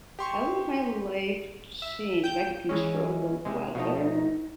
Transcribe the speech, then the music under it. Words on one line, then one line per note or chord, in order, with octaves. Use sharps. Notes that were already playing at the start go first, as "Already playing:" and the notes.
How would my life change if I could control the weather
G4 C6 C#6
E5
G5 G6
E3 G#3 C#4
C3 G#3
B2 F3 A3 D#4